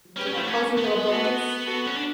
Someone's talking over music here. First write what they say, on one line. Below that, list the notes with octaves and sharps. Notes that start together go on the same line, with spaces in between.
you know, cozy little blankets
C#4 G4 B4
C#4
A3
C#4 F#4 A4
B3
F#4 A4
F#4 A4
C#4
D4